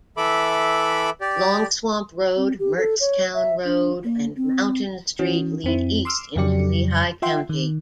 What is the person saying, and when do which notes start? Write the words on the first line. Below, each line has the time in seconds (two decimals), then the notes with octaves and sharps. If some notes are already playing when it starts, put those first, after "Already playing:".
Longswamp Road, Mertztown Road, and Mountain Street lead east into Lehigh County.
0.17 E3 A4 E5 B5 D6
1.21 G4 D5
2.37 C4
2.59 G4
2.78 A4
3.00 C#5
3.35 E5
3.65 D4
4.04 A#3
4.37 C4
5.19 E3 C#4 F#4
5.64 F2 C4 E4
6.05 C6 D6 E6 F6
6.36 F2 C#3 F#3 G4 D5 C#7
7.22 F4 E5 F#5 G5 C6
7.49 D#3